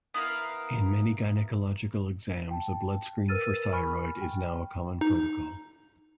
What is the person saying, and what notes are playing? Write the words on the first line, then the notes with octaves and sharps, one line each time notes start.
In many gynecological exams a blood screen for thyroid is now a common protocol.
B3 E4 A#4 F5
G5 A5
A#4 B4 E6 F6 A6 D#7
G#5 B5 C#6 F6
G5
D#4